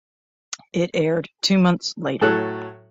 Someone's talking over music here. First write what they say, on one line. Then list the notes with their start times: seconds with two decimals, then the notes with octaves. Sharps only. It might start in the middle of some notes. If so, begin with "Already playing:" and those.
It aired two months later.
2.21 A2 F#3 A4 F#6